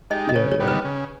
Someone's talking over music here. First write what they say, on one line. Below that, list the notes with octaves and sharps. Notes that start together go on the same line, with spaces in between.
Yeah, yeah.
G#3 D#4 G4 D#5
D#5
C#3 C#5
C#5
G3 B3 D#4
B4
C#3